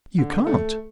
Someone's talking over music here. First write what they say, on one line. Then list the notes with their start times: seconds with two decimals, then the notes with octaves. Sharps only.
"You can't."
0.18 D3
0.47 A3